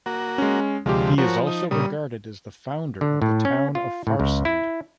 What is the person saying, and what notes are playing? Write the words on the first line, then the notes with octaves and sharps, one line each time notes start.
He is also regarded as the founder of the town of Farsund.
A#3 F#4
G#3 C#4
D2 C3 F3 G#3 G4
F3 F#4 A#4 C#5
D#4
A#2 C#3 G3 D#6
D3
A2
C#4
F4
A2
C#2
E4